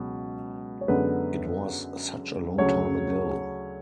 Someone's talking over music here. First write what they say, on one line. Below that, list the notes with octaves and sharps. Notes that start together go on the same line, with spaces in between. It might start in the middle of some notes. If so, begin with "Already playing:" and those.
It was such a long time ago.
Already playing: C#2 B2 F#3
C#5
F#2 D3 G#3 B3 B4
D2 C#3 F#3 C#4 C#5